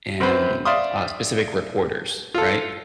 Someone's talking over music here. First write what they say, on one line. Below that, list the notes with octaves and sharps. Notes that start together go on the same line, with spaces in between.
em, uh, specific reporters, right?
F#2 C4 B4 C5
D5 E5 F5 C6 D#6
F4 A4